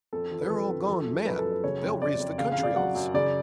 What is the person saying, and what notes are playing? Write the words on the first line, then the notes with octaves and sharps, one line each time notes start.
'They're all gone mad--they'll raise the country on us.
F2 A4
F3
B4
F3 A4
F2
F3 A4
F#2
F#2 B4
A4
F#2
B4
C#3 C#5
F2
F2 D5
F2
C#3 F5
F5
C#3
D5
F#3 F#5
F#2
C#3 D5